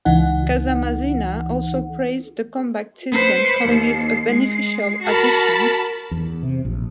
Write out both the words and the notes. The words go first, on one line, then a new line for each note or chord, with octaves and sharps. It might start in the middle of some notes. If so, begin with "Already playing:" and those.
Casamassina also praised the combat system, calling it "a beneficial addition".
C#2 E3 D#4 F#5
B4 C5 C#7
D#2 C7
G#3
F#4 A#4 A5 B5
E2
C3
A#1